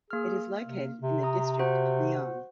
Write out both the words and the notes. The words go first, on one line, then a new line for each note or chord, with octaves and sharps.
It is located in the district of Nyon.
A#3 G#4 F6
C3
C3
A#5 D#6
F#4 C5 F#5